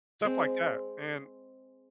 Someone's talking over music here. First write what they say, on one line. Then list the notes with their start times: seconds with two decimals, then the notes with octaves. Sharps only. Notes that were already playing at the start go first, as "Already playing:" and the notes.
stuff like that, and
0.21 G#3 C4